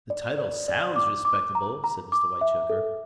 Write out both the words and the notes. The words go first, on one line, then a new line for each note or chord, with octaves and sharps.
"The title sounds respectable," said Mr. Whitechoker.
D5
D5
D5
D6
D6
A#5
A#5
D6
E5
A4